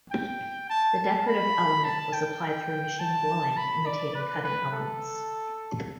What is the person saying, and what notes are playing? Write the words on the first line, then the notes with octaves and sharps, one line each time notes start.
The decorative element was applied through machine blowing imitating cutting elements.
G5
A5
A5
B5
A5
G5
A5
B5
D5
B4
B4
A4